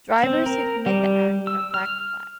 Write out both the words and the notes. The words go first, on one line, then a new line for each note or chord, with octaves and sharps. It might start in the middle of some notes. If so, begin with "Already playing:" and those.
Drivers who commit the act are black-flagged.
C4
A#4
G3
E6
F6